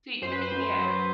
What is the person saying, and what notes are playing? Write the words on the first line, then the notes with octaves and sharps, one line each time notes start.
See yeah.
F#2 C5
B4
C5
F#2
F#3